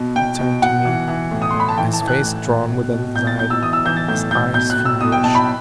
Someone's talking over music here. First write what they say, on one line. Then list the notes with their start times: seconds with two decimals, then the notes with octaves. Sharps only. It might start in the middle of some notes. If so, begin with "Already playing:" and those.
He turned to me, his face drawn with anxiety, his eyes feverish.
Already playing: B2
0.15 B2 G5
0.39 B2
0.62 B2 F#5
0.85 E3
1.08 E3
1.31 A2
1.42 D#6
1.51 A2 C6
1.60 B5
1.68 A5
1.77 E3 G5
1.93 A5
2.01 E3
2.08 F#6
2.23 A2
2.47 A2
2.70 B2
2.93 B2
3.16 B2 G6
3.27 A6
3.39 B2 G6
3.50 E6
3.62 E3 D#6
3.73 E6
3.85 E3 G6
3.97 A6
4.08 A2 G6
4.31 A2 G6
4.54 B2 G6
4.70 F#6
4.78 B2
4.85 E6
5.01 B2 D#6
5.12 G5
5.23 B2 A5
5.35 B5